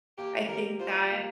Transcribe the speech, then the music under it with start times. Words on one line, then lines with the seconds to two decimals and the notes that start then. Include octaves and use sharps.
I think that
0.18 A#3 G4
0.49 G3 A#4
0.79 F4 C5
1.11 A#3